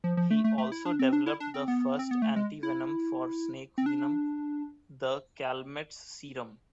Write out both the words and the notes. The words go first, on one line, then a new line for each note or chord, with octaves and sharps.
He also developed the first antivenom for snake venom, the Calmette's serum.
F3
F3
A3
A3
A3
E4
D4
C4
D4
E4
D4
C4
B3
C4
B3
A3
G#3
E4
C4
D4